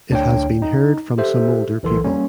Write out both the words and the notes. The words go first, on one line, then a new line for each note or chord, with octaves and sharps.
It has been heard from some older people.
D2 D4 C#5 G5
D#4
G4 A4 C5 E5
B1 E3 A4 A#4 C6
G3 A#3 C#4